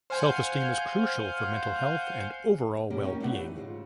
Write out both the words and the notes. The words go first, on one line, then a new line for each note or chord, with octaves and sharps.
Self-esteem is crucial for mental health and overall well-being.
C5 F5 F#5 G#5 F6 G6
B2 A#3 C#4 G4 A#4
C#4 D#4 A#4 G5
A3 B3 C#4 D5 F5 F#5
E3 D#4 G4
G#2 C#3 F4